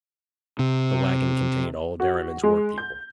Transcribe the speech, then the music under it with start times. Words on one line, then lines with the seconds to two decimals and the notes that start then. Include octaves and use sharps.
The waggon contained all Derriman's workpeople.
0.59 C3
2.00 F#4
2.43 G#3
2.78 G6